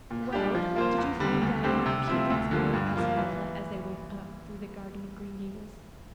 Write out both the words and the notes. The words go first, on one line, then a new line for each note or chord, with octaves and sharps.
"Well, did you find Diana a kindred spirit?" asked Marilla as they went up through the garden of Green Gables.
A#2
G3 D4 G4
F3
A#3 F4 C5
E2
D3 G3
D2
D3 G3 C4 G4
C3
F3 C4 E4
D2
D3 F3 A#3
G2
F3 A#3 F4
E3